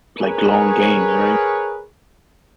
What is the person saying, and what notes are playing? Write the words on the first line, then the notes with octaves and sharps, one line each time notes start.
like, long games, right?
G#4 A#4 B4 C#5